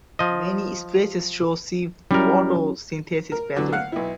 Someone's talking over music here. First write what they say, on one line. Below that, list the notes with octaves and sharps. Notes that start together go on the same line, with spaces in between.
Many species show C-photosynthesis pathway.
F3 D#5
F#3 G3 C#4 E4 A#4
A#4
D3 E3 F#3
F5 F#5 F#6
B1 E4